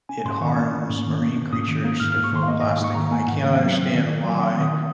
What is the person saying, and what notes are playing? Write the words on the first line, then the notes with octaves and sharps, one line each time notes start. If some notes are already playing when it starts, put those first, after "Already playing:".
it harms marine creatures, they're full of plastic, and I can't understand why
C#4 G#5
G#2 C6
D#3 C#6
A#3
C#4
G#2
D#3
A#3
C#4
G#2 D#6
D#3 D#6
A#3
G#2 F6
G#2 F6
C#6
D#3 C6
F5
A#3 D#5
G#2 D#5
F5
G#2 C#6
D#3 A#5
A#5
A#3 G#5
G#2 F#5
D#3
F#3
C4
D#3
D#3
F#3
G#5
C4 F#5
D#3
D#6
D#3